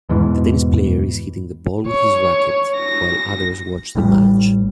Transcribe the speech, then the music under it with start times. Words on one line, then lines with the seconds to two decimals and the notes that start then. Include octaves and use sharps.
The tennis player is hitting the ball with his racquet, while others watch the match.
0.09 E2 G#2 B2 E3
1.88 C#5
2.76 A#6
3.95 A1 A2 G3